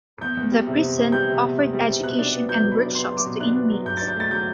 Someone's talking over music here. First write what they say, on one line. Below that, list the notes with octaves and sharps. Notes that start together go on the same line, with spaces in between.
The prison offered education and workshops to inmates.
E2 G6
E2
G3
C3
E2
E2
G3 G6
C3
E2
E2
G3
C3
B2 F#6
D4
B3
F#3 G6
B2
B5
D4
B3 C6
F#3
D6
B2
D4 F#6
B3
F#3
G2 G6
D4 A6
G6
A3 A6
F#3 G6